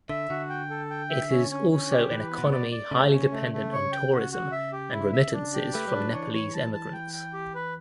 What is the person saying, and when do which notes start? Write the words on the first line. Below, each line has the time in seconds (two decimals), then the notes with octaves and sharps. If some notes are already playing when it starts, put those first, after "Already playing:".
It is also an economy highly dependent on tourism and remittances from Nepalese emigrants.
0.10 D3 E5
0.30 D3 F#4
0.50 G5
0.70 A4
0.90 G5
1.10 E5
1.30 C#4
1.51 C#4
1.71 C#4
1.91 G4
2.11 E3 B4
2.31 B3
2.38 B2
2.45 A2
2.51 B2 D5
2.71 D5
2.91 C#3 A3
3.12 C#4
3.32 A3
3.52 A3
3.72 C#5
3.92 G5
4.12 F#4
4.32 F#4
4.52 E5
4.72 G4
4.92 E4
5.12 E5
5.33 D4
5.53 G4
5.73 A3 B4
5.88 G3
5.93 D4
6.00 F#3
6.13 E3 C#5
6.33 C#5
6.54 A5
6.73 A5
6.93 G5
7.13 G5
7.33 G4
7.55 B4